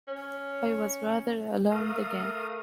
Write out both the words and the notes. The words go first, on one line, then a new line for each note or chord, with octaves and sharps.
I was rather alarmed again.
C#4
A3 A#4 F5 D#6